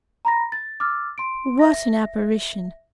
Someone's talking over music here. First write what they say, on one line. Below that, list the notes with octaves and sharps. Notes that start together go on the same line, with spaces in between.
What an apparition!
A#5 B5 A#6
A6
D6 E6 F6 A6
C6 D7
E5 A#6